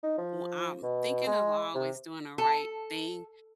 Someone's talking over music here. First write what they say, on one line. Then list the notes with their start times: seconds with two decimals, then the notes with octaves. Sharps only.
w I'm thinking of always doing the right thing,
0.03 D#4
0.18 F3
0.83 B2
1.27 G#3
1.74 C3
2.38 A4